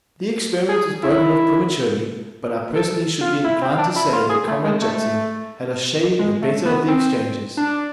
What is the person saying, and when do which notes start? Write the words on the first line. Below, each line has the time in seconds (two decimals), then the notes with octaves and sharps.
The experiment was broken off prematurely, but I personally should be inclined to say that Comrade Jackson had a shade the better of the exchanges.'
0.69 G#4
1.03 E4
2.75 A4
3.21 F4
3.44 E4
3.62 C4
3.78 D4
3.96 E4
4.13 F4
4.30 G#4
4.48 A3
4.64 G#3
4.82 A3
6.19 G#3
6.42 A3
6.65 B3
6.88 C4
7.57 D4